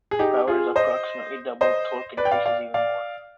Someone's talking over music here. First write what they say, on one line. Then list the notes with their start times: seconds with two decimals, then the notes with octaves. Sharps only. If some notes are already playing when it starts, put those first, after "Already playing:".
Power is approximately doubled; torque increases even more.
0.11 G#4
0.19 D#4 G4
0.48 F4 G#4
0.76 C5 D#5
1.61 C5 D#5
2.17 B4 D5
2.25 G5
2.31 D5 F5
2.46 D5 F5
2.74 D5 F5